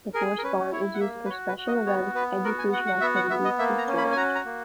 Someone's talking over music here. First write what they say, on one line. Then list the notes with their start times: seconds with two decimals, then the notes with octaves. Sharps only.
The horse barn is used for special events, education activities, and storage.
0.14 G#4 A#4
0.38 A#4
0.43 C#4 B4
0.72 E4 C#5
0.94 F#5
1.00 A#3 E5
1.25 B4
1.29 F#4 C#5
1.48 B4
1.57 F#4
1.67 D#5
1.86 B3 C#5
2.15 B3 B4
2.44 F#4 A#4
2.58 G#5
2.73 F#4 F#5
2.87 F#5
3.01 B3 E5
3.15 F#5
3.30 B3 E5
3.44 D#5
3.59 A#3 E5
3.78 A#5
3.87 C#4
3.98 B5
4.12 G#5
4.16 F#4 A#5
4.35 A#5
4.45 A#3